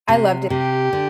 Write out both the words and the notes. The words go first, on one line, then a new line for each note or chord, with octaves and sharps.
I loved it
C3
C3 G4
D3